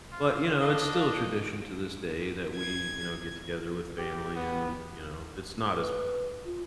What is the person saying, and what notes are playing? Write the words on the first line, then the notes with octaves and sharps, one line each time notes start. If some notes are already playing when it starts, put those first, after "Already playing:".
But, you know, it's still a tradition to this day that we, you know, get together with family and, you know, it's not as
F4
D4 D#5 F5
G#6
G4
B3
B4
F4